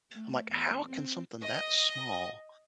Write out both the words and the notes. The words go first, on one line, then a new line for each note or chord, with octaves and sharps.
I'm like, "How can something that small
A3
E2
C4
D#5